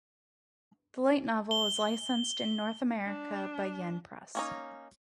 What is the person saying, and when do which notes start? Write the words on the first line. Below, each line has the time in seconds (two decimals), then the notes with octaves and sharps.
The light novel is licensed in North America by Yen Press.
1.51 G7
3.06 D4
4.35 A#3 C#4 D#4